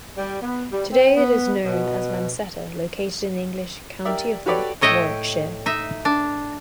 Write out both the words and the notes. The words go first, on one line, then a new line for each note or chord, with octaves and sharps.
Today it is known as Mancetter, located in the English county of Warwickshire.
G3
B3
G3
C4
B3
B2
G4 A#4 D5 E5
F#4 G4 A4 B4 C#5 D5
A2 C#5 D#5 E5 G5
D#4 E5
D4